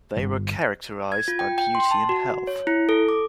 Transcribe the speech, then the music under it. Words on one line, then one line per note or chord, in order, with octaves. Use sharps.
They were characterized by beauty and health.
G1
G#6
F4
G5
G5
C6
A5
F#4
C#5
E4
A4
D6